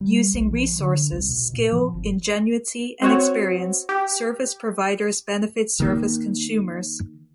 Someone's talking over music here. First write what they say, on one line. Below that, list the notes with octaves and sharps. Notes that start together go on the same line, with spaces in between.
Using resources, skill, ingenuity, and experience, service providers benefit service consumers.
G3
B1
F3
D3
C2
B2
A#2
F3
G#1
C4 F#4 C#5
G4
D#3 A#3